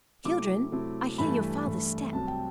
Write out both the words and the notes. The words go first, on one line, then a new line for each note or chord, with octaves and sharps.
'Children, I hear your father's step.
C3 F#3 A3 C4 E4 D6
C3 F#3 A3 C4 E4
G2 E3 A3 B5
G2 E3 A3
C2 C3 F#3 C4 A5
G5